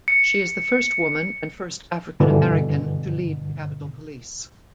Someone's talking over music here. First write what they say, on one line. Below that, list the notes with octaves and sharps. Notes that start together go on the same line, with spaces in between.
She is the first woman and first African American to lead the Capitol Police.
C#7
G2 B2 D3 E3